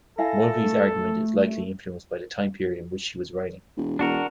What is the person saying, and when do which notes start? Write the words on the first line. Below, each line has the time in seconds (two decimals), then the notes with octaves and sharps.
Mulvey's argument is likely influenced by the time period in which she was writing.
0.18 E4 A4 F5 G#5 A#6
0.63 A3
3.77 E1
3.99 E1 D4 F#4 A#4